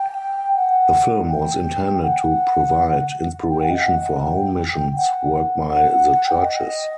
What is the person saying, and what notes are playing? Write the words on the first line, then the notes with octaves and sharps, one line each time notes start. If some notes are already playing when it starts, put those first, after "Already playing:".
The film was intended to "provide inspiration for home missions work by the churches".
Already playing: G5
F#5
G5
F#5
G5
F#5
D#5
F#5
G5
F#5
F#5
G5
F#5
D#5